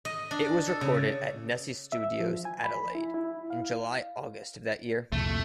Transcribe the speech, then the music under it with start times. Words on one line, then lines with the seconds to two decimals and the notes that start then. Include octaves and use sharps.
It was recorded at Nesci Studios, Adelaide, in July-August of that year.
0.05 D#5
0.31 D4
0.67 A4
0.81 C#3
1.92 E5
2.20 F3
2.45 G#5
2.64 B5
2.95 E4
3.14 E4
3.50 F5
5.12 C2 F2 A#2 A3